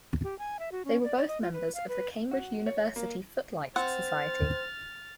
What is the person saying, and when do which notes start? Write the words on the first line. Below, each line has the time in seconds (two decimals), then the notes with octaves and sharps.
They were both members of the Cambridge University Footlights society.
0.24 G4
0.39 G#5
0.59 E5
0.72 F#4
0.85 C#4
1.04 D5
1.17 D5
1.28 D#5
1.42 F4
1.53 B4
1.75 F5
1.89 B4
2.31 F#4
2.66 C#5
2.96 A#3
3.76 C4 C5 F#5 F6 A6